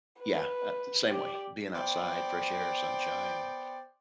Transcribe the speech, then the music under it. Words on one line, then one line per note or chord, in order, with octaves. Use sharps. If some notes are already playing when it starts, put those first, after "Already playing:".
yeah, uh, same way. Being outside, fresh air, sunshine,
B4
G4 D5
B3 C5 D5 G5